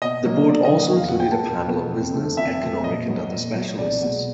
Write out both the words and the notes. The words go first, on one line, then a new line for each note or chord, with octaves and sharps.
The Board also included a panel of business, economic and other specialists.
B2 D#5
F#3 A#3
B2 D5
D#5
F#3 A#3
D#5
E2 F5
F#5
B2 G#3 B3 G5
A5
E2
B2 G#3 B3
F2
C3 F3 A3
F2 E5
C3 F3 A3
A#2 D#5
F#3 B3
A#2
F#3 B3
C2 D5
B2 G#3